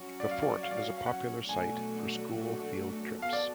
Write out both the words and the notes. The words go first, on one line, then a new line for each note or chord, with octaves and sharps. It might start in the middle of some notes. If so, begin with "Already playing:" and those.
The fort is a popular site for school field trips.
Already playing: F#3 C#4 F#4
D5
F5
D5
F5
D5
F5
F5
F#5
B2 F#3 A3 D4 F#4 G#5
B3 F#4 A4 F5
D5